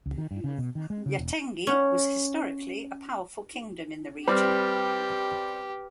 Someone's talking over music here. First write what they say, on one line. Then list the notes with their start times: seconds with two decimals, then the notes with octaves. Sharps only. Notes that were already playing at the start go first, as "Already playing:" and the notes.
Yatenge was historically a powerful kingdom in the region.
0.06 C#2
0.18 D#3
0.31 G2
0.44 C#3
0.58 B2
0.75 D#3
0.90 G#3
1.06 C#3
1.18 E1
1.67 C#4 F#5
4.28 G3 C4 G4 B4 D6 F6